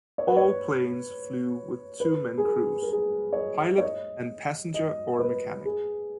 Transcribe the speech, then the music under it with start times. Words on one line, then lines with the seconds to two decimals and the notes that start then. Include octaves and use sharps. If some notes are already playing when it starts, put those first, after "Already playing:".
All planes flew with two-men crews, pilot and passenger or mechanic.
0.18 C#5
0.27 B4
0.37 C#5
2.00 B4
2.38 G#4
2.46 A#4
2.82 A#4
2.92 G#4
3.33 C#5
3.37 D#5
3.78 C#5
3.82 D#5
4.74 D#5
5.19 B4
5.65 G#4